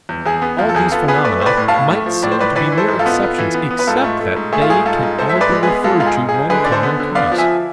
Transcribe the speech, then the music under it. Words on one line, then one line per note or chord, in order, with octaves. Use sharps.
All these phenomena might seem to be mere exceptions, except that they can all be referred to one common cause.
E2
E2 G#4
B3
E2 F4
A4
E2 G#4
B3 F4 A4
B3 G#4 B4
A3 B4 D5
A2 B4 C5 D5
A2
F5 A5
A2
A3
F3
A2 D5
C5
A2 B4 D5
E3 B4 D5
E3
A4 C5
G#2
F4 A4
B3
B3
E3
B3
B3
B4
G#2 F4 A4
A3
A3
G#2
A3 G#4
F4
G#2 G#4
G#2 F4 A4
G#2
G#2 A4 C5
E5
G#3
B4 D5
G#3
B3 G#4 B4
G#3 F4 A4
G#2 F4
G#4
G#2
G#4
G#2
D3 G#4 B4
D3 D5
A4 C5
B3
D3
B3 D5 F5
F3
E5 G#5